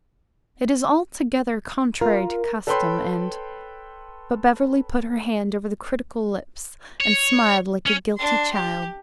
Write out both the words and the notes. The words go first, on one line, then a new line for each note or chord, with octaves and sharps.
"It is altogether contrary to custom, and--" but Beverly put her hand over the critical lips and smiled like a guilty child.
F4 A#4
A4 B4 C#5 G5 B5 C6
C#5
C#4
D4 C6
G4